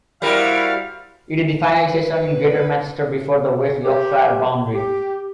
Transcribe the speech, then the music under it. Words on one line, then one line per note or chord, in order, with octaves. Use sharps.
It is the final station in Greater Manchester before the West Yorkshire boundary.
G3 E4 F#4 A#4 C5 F5
B4
G4
G4